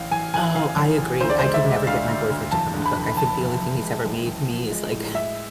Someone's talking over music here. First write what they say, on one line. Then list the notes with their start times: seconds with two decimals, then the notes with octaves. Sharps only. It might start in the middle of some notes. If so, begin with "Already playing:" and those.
Oh, I agree. I could never get my boyfriend to come and cook. I think the only thing he's ever made me is, like,
Already playing: A1 F5
0.11 A1 G#5
0.34 A1 G#5
0.55 A1 F5
0.77 A1
0.98 A1
1.21 D2 C5
1.30 D5
1.39 G#3 C5
1.54 E5
1.65 G#3
1.87 D2 F5
2.08 D2
2.30 D2
2.51 E2 A5
2.74 D3
2.86 B5
2.96 F1
3.17 F1 A5
3.40 F1
3.61 F1
3.83 G#3
4.06 A1
4.27 A1
4.50 F3
4.72 G#3
4.92 A2
5.14 G#3 E5